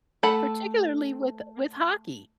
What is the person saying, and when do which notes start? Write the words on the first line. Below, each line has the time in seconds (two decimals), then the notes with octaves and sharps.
Particularly with with hockey.
0.23 A3 A4 F#5 B5